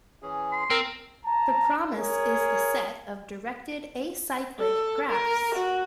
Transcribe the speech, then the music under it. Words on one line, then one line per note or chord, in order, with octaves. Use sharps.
The promise is the set of directed acyclic graphs.
E3 C#4 G#4
C6
C4 A#4
A5 A#5
G#4 A#4 C#5
A4
A#4
F#4